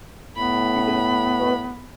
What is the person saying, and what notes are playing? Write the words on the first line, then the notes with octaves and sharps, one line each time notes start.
He does switch off.
A2 B3 B5